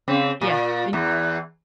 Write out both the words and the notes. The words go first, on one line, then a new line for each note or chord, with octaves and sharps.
Yeah, and
C#3 C4
A#2
E2 E3